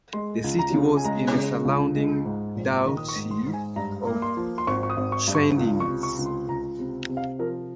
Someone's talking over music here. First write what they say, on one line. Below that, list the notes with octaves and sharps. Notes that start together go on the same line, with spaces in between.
The city was in the surrounding Duchy of Schweidnitz.
G#3 C6
C#2
A#5
C#3
G#5
G#3 A#5
C#3
C#2
G#3
G#2
A#1
D#3 A#5
D#6
C#6
G#2
C6
G#2
G#5
G2 A#5
A#3
C6
F3
C6
G#1 C#6
C#6
D#6
G#1
C#6
G2
C#6
C#2
C#6
C3
C#6
C#2
C6
C#2 A#5
C3
C3
F5
F3 A#4